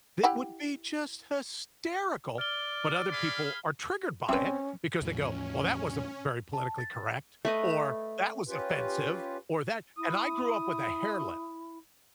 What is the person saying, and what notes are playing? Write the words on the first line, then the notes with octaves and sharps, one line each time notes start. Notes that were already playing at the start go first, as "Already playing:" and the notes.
that would be just hysterical, but other people are triggered by it because they go, "Well, that wasn't very politically correct," or "That was offensive," or "That" and I grew up with a hairlip,
E4 G4 F#5
D5 F6 G7
G#4 F5 B5
C4 C#4 E4 B4
E2 A2 F3 C#4
A5
A6
A3 B4 D#5
C#4 F4 G4 B4
E4 D#6